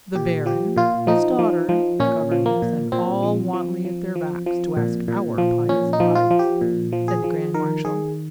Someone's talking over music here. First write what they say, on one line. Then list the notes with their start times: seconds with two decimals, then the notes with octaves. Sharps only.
"The Baron, his daughter, the Governess, and all Wantley at their backs, to ask our pious advice," said the Grand Marshal.
0.15 A#2 G4
0.46 F3 G4
0.76 A#2 F4
1.07 F3 D#4
1.39 F3
1.69 F3
2.00 A#2 C#4
2.31 F3
2.46 A#3
2.62 A#2
2.92 A#2 C4
3.23 F3
3.53 F3
3.85 F3
4.15 F3
4.46 F3
4.77 A#2
5.08 A#2
5.38 F3
5.69 A#2 C#4
5.93 D#4
6.00 F3
6.15 F4
6.31 F3
6.39 G4
6.61 A#2
6.92 F3
7.08 G#4
7.24 F3
7.54 D#3 A#4
7.85 D#3 G#4